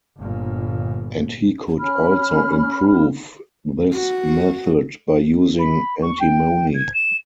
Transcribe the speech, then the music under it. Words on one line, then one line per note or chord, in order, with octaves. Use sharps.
And he could also improve this method by using antimony.
G1 A#2
C#4 B5 F6
F#4
B5
C#6
G5
G#6
E7